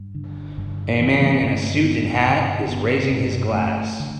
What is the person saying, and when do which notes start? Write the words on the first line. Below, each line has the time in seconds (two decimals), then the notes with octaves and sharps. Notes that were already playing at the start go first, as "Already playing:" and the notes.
A man in a suit and hat is raising his glass.
Already playing: G2
0.15 D3
0.58 G2 D3
1.00 E3
1.20 A3
1.34 B3
1.41 G2 D3 A3
1.74 D4
1.84 B3
2.25 G2 D3
2.69 B3
3.10 G2 D3
3.53 A3
4.00 D3